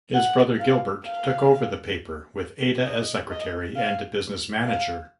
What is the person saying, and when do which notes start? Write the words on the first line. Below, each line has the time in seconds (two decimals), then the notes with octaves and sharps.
His brother Gilbert took over the paper, with Ada as Secretary and Business Manager.
0.14 F#5
0.59 F5
1.05 F5
2.86 D#5
3.31 D#5
3.76 F5
4.67 F5